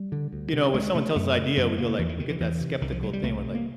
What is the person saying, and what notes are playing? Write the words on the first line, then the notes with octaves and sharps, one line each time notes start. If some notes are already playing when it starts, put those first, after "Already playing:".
you know, when someone tells us idea, we go, like we get that skeptical thing where, like,
Already playing: G3
D3
D2
C3
D2 G#3
C3 A3
F#2 A3
C#3
F#2 B3
C#3 A#3
E2 E3
E3
C3 D#3
E3
E2 E3
C3
C2 D#3
F3
C3 F#3
G3
C2 A3
C3
A#3